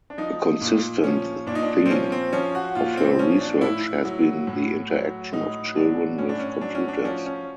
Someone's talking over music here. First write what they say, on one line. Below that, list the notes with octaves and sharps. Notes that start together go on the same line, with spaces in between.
A consistent theme of her research has been the interaction of children with computers.
D4
F3 D#4
A#2
F3 C#4
A#2 D4
D#4
D4
C4
F3 C#4
C4
F3 C#4
F#4
A#2 F4
C4
F3 C#4
D4
A2 E4
F#3
A2
F#3
A2 D#4
F#3 D4
A2 C#4
D4
C#4
F#3 D4
C#4
D4
F3 C#4
C#4